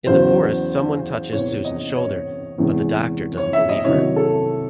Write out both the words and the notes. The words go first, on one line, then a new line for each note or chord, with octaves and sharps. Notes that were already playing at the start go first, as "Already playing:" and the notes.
In the forest someone touches Susan's shoulder, but the Doctor doesn't believe her.
E2 C#3 F#3 C5
E2 C3 E3 C#5
D#5
C#5
E2 C3 E3 G#3
C#5
E5
D#5
C2 C3 D#3 F#3 C#5
A4